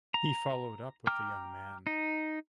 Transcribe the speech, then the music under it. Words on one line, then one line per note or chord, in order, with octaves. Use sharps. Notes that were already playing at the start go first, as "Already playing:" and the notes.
He followed up with the young man.
A#5
G5 A#5 D6 F6
D#4